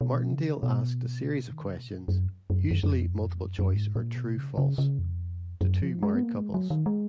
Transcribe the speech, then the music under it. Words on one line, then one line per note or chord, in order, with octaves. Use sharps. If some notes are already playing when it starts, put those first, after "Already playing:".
Martindale asked a series of questions, usually multiple-choice or true-false, to two married couples.
B2
C#3
B2
D#3
C#3
B2
A#2
F#2
F#2
F#2
F#2
F2
F#2
F2
F#2
F#2
G#2
A#2
B2
C#3
C#3
C#3
F2
F#2
F3
G#3
B3
A#3
G#3
F#3
D#3
G#3